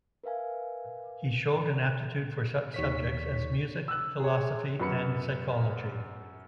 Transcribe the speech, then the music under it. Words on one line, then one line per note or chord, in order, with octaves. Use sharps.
He showed an aptitude for such subjects as music, philosophy and psychology.
A#4 B4 E5 F5 G#5
D#2 C#5 B6
E6 F#6
G#4 C#5
F#2 B3 B5 C#7